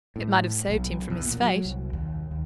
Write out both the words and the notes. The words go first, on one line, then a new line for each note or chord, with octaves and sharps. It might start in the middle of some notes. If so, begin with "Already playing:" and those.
"It might have saved him from his fate."
A2
B1
E2
A#2
F#3
C2
D#2
D#2